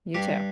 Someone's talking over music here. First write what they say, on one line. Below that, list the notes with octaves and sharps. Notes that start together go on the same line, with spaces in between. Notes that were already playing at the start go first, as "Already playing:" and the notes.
You too.
G2 G4